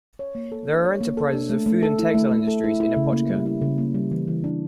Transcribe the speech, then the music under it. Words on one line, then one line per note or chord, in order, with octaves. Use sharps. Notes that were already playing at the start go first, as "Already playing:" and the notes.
There are enterprises of food and textile industries in Opochka.
C#5
A#3
A4
D4
C#5
A#3
A4
D4
A3
A3
A4
E4
A3
A3
A4
E4
E4
C#3
A#3
G3
E4
C#3
A#3
G3
E3
E3
D4